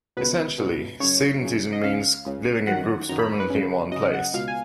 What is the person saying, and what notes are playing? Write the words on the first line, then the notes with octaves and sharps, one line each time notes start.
Essentially, sedentism means living in groups permanently in one place.
C#2 B2 B4
C#2 B2
F#2 C#3 C#5
F#2 C#3
D#5
C#2 C#3 F5
C#2 C#3
F#2 D#3 F#5
F#2 D#3 A#5
B5
B4
F#2 C#3
F#2 C#3 D#5
F#5
C#2 B2 F5
G#5